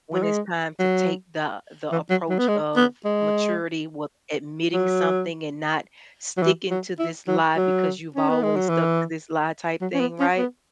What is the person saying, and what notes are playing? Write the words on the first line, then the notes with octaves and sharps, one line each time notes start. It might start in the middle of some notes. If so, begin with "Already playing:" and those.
when it's time to take the the approach of maturity with admitting something and not sticking to this lie because you've always stuck to this lie type thing, right?
F#3
G#3
F#3
E3
F#3
F#3
B3
G#3
B3
G#3
F#3
F#3
E3
F#3
E4
F#3
F#3
C#4
B3
G#3
F#3
E3
F#3
C#4
B3
C#4
B3